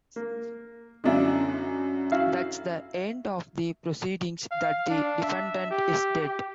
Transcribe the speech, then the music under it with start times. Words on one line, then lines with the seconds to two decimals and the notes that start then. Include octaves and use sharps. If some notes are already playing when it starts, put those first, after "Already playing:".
That's the end of the proceedings, that the defendant is dead.
0.16 A#3
1.04 F#2 D3 G#3 D4 E4
2.12 E4 F#4 F5
4.51 F5
4.90 D4
5.22 E5
5.71 G4
6.20 G4